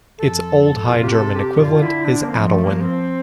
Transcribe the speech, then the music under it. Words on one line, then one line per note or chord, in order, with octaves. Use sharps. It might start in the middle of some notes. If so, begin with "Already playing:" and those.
Its Old High German equivalent is Adalwin.
F2 A4
C3 F4
G4
A4
G4
D3 F4
F4
E4
D4
A#3
F3 C4
A3
F3 A#3
A#3
C4